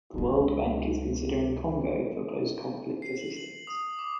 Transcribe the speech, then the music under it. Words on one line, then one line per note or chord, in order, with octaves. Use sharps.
The World Bank is considering Congo for post-conflict assistance.
C#2 G#3
C7
F#7
F#7
D#6
D6